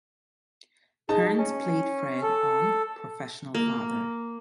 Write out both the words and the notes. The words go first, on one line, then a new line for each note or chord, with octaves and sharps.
Kearns played Fred on "Professional Father".
D#4 G#4 A5
C#4
A4
A#3